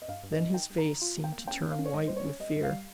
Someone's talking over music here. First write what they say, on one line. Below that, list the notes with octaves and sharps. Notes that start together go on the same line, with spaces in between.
Then his face seemed to turn white with fear.
D#5
G2 F5
G2
D#5
G2
D#3 G5
G2
A#5
D#3
F4
C3
G5
A#3
C#4 G5
D#3
F5
C#4
C#5
G#2 D#5
G3 C5
C#5
C#4
G3 D#5
G2
F5
G3